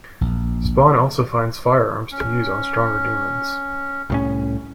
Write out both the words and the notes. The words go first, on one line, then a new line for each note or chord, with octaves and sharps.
Spawn also finds firearms to use on stronger demons.
A#1
C#4
C2 A2 C#4